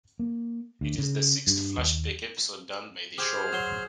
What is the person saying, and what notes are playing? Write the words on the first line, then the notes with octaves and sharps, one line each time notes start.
It is the sixth flashback episode done by the show.
A#3
D2
C#3
G2
D#2
G4 G#4 C5 F6
F#3 C6